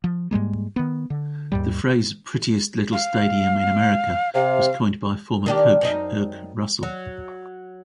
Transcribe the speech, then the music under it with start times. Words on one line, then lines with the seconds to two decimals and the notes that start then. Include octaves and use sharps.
The phrase "Prettiest Little Stadium in America" was coined by former Coach Erk Russell.
0.04 F3
0.31 G#2 G3 G#3 A#3
0.76 D#3 B3
1.10 D3
1.52 D#2 G#2 G3
2.93 F5
4.34 C3 F5
5.46 D#3 D4 G4
5.81 F#2 C4 D#4
6.83 F#3